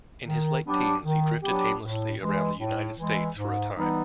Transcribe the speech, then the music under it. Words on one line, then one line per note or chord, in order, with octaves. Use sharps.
In his late teens he drifted aimlessly around the United States for a time.
D#3
F#3 B3 D4 G4
D#3
F#3 B3 D4 G4
A2
E3 G#3
A2
E3 G#3
G#2
E3 G3 B3 D#4